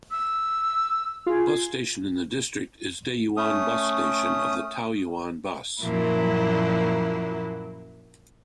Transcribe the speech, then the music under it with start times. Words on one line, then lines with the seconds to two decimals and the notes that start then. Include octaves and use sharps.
Bus station in the district is Dayuan Bus Station of Taoyuan Bus.
0.10 E6
1.26 F4 G#4
3.37 A3 C#4 D#6
5.81 F#2 A#2 F3 F#3 A#3 E4